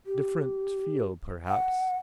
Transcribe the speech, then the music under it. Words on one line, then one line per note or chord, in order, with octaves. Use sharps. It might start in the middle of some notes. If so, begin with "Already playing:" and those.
Different feel perhaps.
G4
F#5